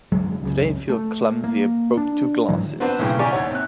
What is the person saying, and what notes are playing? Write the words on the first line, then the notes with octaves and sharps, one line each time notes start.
Today I feel clumsy; I broke two glasses.
F#2 D3 F#3 G#3
C#2 F#2 C#3
A3
A#3
D4
G#2 D3 E3 F#3
B3 C4 D4 F#4 B4 C5
B1 A2 C#3 G5
C#3 G4 D5 G#5 A#5 C#6
D#2 C#5 F#5
C3 F#6